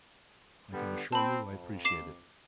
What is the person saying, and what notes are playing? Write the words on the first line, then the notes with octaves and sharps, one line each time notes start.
I can assure you I appreciate it.
D3 G3 B3
C4 A5 B5
F2
D6 C7 E7